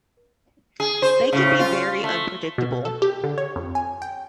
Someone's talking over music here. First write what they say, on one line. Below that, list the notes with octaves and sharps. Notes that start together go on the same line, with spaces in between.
They can be very unpredictable.
G#4
C5
A2 C#3
F4
A3
B2
A4
G4
D3
C#5
F2
G#5
G5